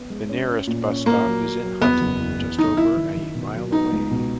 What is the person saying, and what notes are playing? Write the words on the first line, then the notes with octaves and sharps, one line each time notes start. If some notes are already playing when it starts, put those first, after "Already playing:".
The nearest bus stop is in Hunton, just over a mile away.
Already playing: B3
G#3
C#4
C#4
A#2
C#4
A#2 A#3
F#3
F#3
F#3
E2 B3
F#1
E2
E2
F#1 D#4
F#1 E4
D#3
D#3
B2
F#3
B3 D#4
C#2
B2